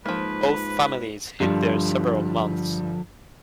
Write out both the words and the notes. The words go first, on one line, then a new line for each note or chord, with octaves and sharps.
Both families hid there several months.
G#2 F3 A#3 B4
G2 D3 F3 G3